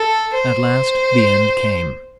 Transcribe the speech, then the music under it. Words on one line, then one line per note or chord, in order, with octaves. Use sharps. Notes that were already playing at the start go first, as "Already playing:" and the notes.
At last the end came.
Already playing: A4
C5